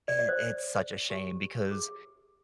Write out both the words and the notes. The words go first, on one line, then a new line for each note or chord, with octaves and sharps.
It it’s such a shame because,
D5
D5
C5
G4
G#4